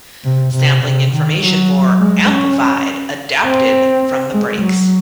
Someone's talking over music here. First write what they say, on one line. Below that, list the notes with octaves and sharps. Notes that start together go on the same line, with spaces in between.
Sampling information for "Amplified" adapted from The-Breaks.
C3
C3
C3
D#3
F#3
G#3
C#4
C4
G#3
F#3